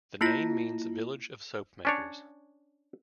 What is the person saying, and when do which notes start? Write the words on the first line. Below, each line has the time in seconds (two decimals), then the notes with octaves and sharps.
The name means village of soapmakers.
0.21 A#3 E4 F4 A#6
1.85 C#4 D4 C#5